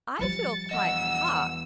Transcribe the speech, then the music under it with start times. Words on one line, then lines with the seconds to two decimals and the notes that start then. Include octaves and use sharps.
I feel quite hot.
0.19 F3 G3 A6 C#7
0.71 E2 D#5 F#5 E6